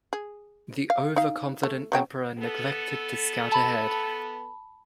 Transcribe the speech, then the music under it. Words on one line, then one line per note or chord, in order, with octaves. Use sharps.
The overconfident Emperor neglected to scout ahead.
G#4
F5
D#4 F5
A3
C#3 F#3 G5
B3 A4
A5 B5